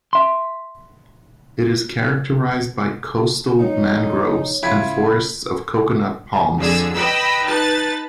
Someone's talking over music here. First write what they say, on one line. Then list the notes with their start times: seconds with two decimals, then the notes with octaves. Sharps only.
It is characterized by coastal mangroves and forests of coconut palms.
0.13 E5 C6
3.59 F3 D#4 C#5
4.63 C#3 E4 F4 B5 G#6 B6
6.57 F2 D3 G#4 E6
6.94 B4 D#5 G5 B5 E6
7.43 D#4 B4 A5 A6